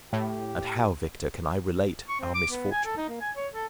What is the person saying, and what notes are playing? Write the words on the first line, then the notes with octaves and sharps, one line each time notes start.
And how, Victor, can I relate our misfortune?
A2 G4
C#6
C4
D6
B3
G#5
A4
D#4
A#3
G#5
C#5
A4